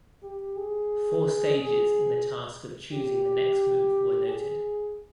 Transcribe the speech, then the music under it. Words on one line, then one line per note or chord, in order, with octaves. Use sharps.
Four stages in the task of choosing the next move were noted.
G4
G#4
G#4
G4
G#4